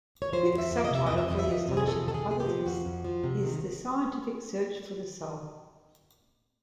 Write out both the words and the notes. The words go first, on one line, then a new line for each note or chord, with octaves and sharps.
Crick's subtitle for "The Astonishing Hypothesis" is "The Scientific Search For The Soul".
C#5
F3 C5
F2
E5
F2
D#5
C3 E5
F2 D#5
E5
F2 D#5
E5
F2 D#5
C3
G#4
F2 A4
C3 A4
G#4
C3 G#4
G4
F3
F2 F#4
F2
F3
C3
D#3